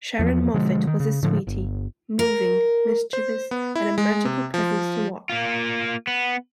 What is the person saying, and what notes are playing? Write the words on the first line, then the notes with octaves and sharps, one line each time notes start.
Sharyn Moffett was a sweetie; moving, mischievous and a magical presence to watch.
E2 F3
B2 D3 F3 G#3
D#3
C#3
A2 D3 F3
G1
A#4
C5
B3
E4
G#3
C3
F3
A#3 F4
B3